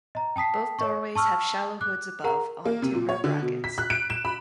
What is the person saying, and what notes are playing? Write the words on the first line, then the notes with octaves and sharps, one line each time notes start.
Both doorways have shallow hoods above on timber brackets.
D#5 A#5
G5 A5 D#6 B6 C7
C#5 D#5 C#6
A5 C#6 E6 F6
D6 F#6
G#4 A#4 F#5 A#5
A#3
C3
A#2
C#5
D3
B2
B6
F#6
D7
E7
B5